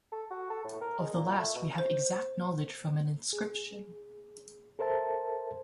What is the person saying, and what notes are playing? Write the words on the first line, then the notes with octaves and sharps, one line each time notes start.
Of the last we have exact knowledge from an inscription.
A4
F#4
A4
A2
A#4
G#3
A#2
A3
B2
C5
G#4
A4 A#4 C5 E5 A5